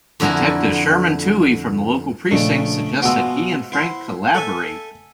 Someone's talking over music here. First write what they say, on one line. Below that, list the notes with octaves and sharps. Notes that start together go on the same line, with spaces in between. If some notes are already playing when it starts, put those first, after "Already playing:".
Detective Sherman Touhey from the local precinct suggests that he and Frank collaborate.
F2 D3 E4 F#4 A#4 G#5
A#1 C#3 A3 D4 D#5
B2 F3 G#3 F#5 E6
E4 C5 F#5
A4 E5 G#5